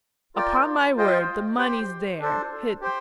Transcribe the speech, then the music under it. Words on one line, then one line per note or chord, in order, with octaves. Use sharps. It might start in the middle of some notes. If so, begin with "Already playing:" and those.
"Upon my word, the money's there, hidden."
F4 A#4 D5 G5
F4 C5 D#5 G5
G4 C5 G5
D4 A4 C5
G4 C5 G5